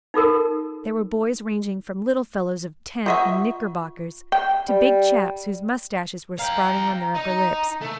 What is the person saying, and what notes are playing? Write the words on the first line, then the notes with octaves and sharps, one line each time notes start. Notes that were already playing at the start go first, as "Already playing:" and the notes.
There were boys ranging from little fellows of ten, in knickerbockers, to big chaps whose mustaches were sprouting on their upper lips.
D#4 F4 A4 A#4
F4 C5 D#5 E5 F#5 C#6
G5
G3
F5 G5 A#5
D#4 A#5
A3